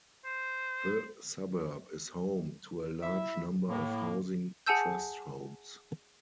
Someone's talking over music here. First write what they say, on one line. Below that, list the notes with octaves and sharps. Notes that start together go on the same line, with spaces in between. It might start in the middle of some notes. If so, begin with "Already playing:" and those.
The suburb is home to a large number of Housing Trust homes.
C5
E4 E5
A2 A#3
G#4 F#5 G#5 A5 E6 G6